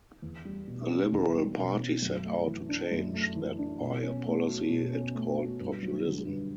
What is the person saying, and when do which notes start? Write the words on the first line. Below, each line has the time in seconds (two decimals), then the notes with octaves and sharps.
The Liberal Party set out to change that by a policy it called populism.
0.22 E2
0.45 G3
0.67 B2
0.90 C#4
1.12 E2
1.34 G3
1.57 B2
1.79 C#4
2.02 F#2
2.24 A3
2.46 E3
2.69 D4
2.91 F#2
3.13 A3
3.36 E3
3.59 D4
3.80 B2
4.03 C#4
4.25 A3
4.47 F#4
4.70 B2
4.93 C#4
5.15 A3
5.38 F#4
5.60 G2
5.83 F#3
6.05 D3
6.27 G2